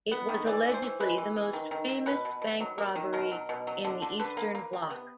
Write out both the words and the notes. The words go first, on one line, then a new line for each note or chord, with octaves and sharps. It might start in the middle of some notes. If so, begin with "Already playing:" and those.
It was allegedly the most famous bank robbery in the Eastern bloc.
B3
D#3
E3 D5
E3
C5
E3
G#3 B4
E3
E3
D#3
D#3
D#3
B2 B4
B2
B2
F#3
A#3
D#3
B2 A#4
F#3
B2
F#3
D3
D3
D3 B4
A#3
A#3
C3
B3